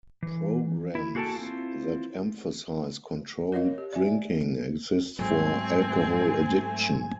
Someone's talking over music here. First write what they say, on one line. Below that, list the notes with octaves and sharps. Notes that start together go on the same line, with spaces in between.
Programs that emphasize controlled drinking exist for alcohol addiction.
E3
E4
A#3 F#4 G#4 A4 G5 A5
C4 E4 F4
A#4 C#5 D#5 F5
G4
D5 E5 G#5
G#2 F#3 A3 C4 G#5